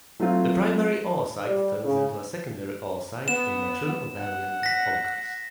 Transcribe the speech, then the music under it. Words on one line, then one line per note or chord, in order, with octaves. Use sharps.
The primary oocyte turns into a secondary oocyte in mature ovarian follicles.
F#3 A3 C4 F4
G3
C#3
B3 E7
F#5
A#6 B6